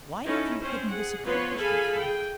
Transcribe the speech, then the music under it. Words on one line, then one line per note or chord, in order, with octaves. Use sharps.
Why have you hidden this accomplishment from me?
C#4 D#4 E4 A4
C4 C#4 C5
G#4 F#5
F3 B3 F4 B4 C#5 C6
G#4 A4 F5 G#5 B5
G#4 G5